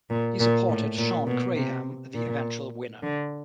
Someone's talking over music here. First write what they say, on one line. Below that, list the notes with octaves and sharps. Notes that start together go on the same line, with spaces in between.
He supported Shawn Graham, the eventual winner.
A#2
A#2
A2
A#2
B2
C3
A#2
D3